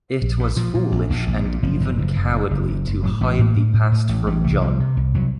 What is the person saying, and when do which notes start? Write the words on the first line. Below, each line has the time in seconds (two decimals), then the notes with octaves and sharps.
It was foolish and even cowardly to hide the past from Jon.
0.22 A#1
0.39 A#2
0.57 A#2 F3
0.75 A#2
0.92 A#1
1.10 A#1
1.27 A#1
1.45 A#2
1.63 F#1 F3
1.81 F#1
1.98 F#1
2.16 F#1
2.33 F#2
2.51 F#1
2.68 F#1
2.86 F#1
3.03 A2 F#3
3.21 A1 A3
3.39 A2 A#3
3.56 A2
3.74 A2
3.92 A2
4.09 A1 A3
4.27 A1 A3
4.44 C2 A3
4.61 C2 F3
4.80 C3
4.97 C2
5.14 C2 F#3